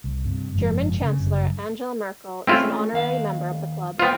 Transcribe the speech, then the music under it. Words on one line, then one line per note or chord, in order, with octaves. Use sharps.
German Chancellor Angela Merkel is an honorary member of the club.
C2
G2 C3
F#1 G#2 F3
C#3
G1 F#2 C#3
A3 C4 C#4 E4 F4
D#2 F5
B3 F4 C5 G5